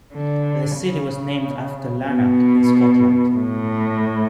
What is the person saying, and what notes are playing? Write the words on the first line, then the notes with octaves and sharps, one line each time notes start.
The city was named after Lanark, in Scotland.
D3
C#3
B2
A2